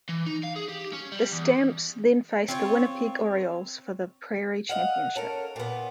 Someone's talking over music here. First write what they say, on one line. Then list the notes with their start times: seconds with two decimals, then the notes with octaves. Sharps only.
The Stamps then faced the Winnipeg Orioles for the Prairie championship.
0.09 E3
0.26 D#4
0.43 F5
0.56 G#4
0.68 G4
0.93 C#4
1.12 G3
1.31 E2
2.48 C4 F4 C#5
4.69 D#5 F5 F#5
5.16 C#4 A4 A#4
5.56 A#2 B3